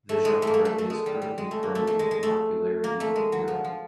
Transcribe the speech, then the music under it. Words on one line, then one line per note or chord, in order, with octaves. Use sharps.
The genre is currently growing in popularity in Europe.
A3
G#3
A3 A#3
A3
A3
A3
G#3
G3
G3
G#3
A3
A#3
A3
A3
G#3
G#3
A3
A#3
A3
G#3
F#3
F3
F3